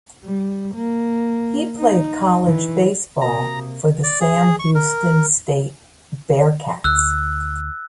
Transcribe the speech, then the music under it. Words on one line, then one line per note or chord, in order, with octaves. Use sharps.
He played college baseball for the Sam Houston State Bearkats.
G3
A#3
D#4
E3
C3 A#3 F#4 A#4 A#5 D#6
D5
G#4
C#6
A#4
D2 E6 F#6